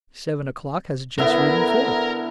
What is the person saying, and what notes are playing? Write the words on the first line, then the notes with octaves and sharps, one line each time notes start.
Seven O'clock has just ridden forth.
D3 B3 E4 A#4